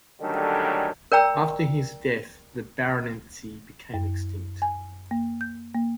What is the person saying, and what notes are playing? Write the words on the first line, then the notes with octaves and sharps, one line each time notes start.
After his death the baronetcy became extinct.
D3 D#3 F#3 G3 A3 C#4
A#4 D5 G5 A#5 E6
F#2
G#5
A#3
G6
A#3